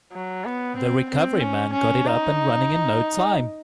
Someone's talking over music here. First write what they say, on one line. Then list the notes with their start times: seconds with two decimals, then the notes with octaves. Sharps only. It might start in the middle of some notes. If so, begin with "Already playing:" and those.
The recovery man got it up and running in no time.
0.12 F#3
0.45 B3
0.77 C4
1.10 C4
1.41 C#4
1.73 C#4
2.06 D#4